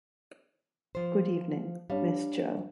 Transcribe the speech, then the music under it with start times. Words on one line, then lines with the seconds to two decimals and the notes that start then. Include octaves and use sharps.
Good evening, Miss Jo.
0.95 F3 C5
1.90 G3 D4 C#5 F5